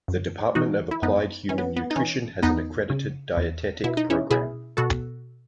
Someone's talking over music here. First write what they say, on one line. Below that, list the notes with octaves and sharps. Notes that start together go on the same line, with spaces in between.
The Department of Applied Human Nutrition has an accredited dietetic program.
F#2
E3 D#4 F#4
E4
F#2 B3 D#4
E3 C#4
B3
B3
D#4
E3 C#4
E2 B3 D#4
C#3
E2
B2 E4
D#4
C#4 E4
B2 E4 G#4
B2 F#4 A4